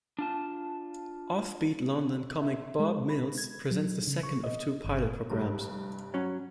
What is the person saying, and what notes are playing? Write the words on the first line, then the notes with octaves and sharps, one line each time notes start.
Offbeat London comic Bob Mills presents the second of two pilot programmes.
D4 F4 A5
E5
G#3
B5
G#6
F#3
C#3
C#6
D#5
G1
F1 G2
F#3 C#4